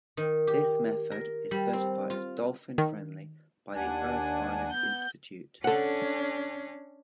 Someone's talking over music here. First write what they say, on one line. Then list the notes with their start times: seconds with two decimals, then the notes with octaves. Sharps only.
This method is certified as "dolphin friendly" by the Earth Island Institute.
0.17 D#3
0.47 G4
1.11 A#4
1.51 G3
1.73 C4
2.10 F4
2.78 D#3
3.75 D#2 D4 F#5 G#5
4.72 B3 G6
5.64 C#4 D4 A4 F#5